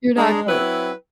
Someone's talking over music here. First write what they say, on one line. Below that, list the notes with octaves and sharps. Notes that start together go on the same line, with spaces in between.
you're not going
G#3 D4 G#4 A#5
F#3 C4 E4 B4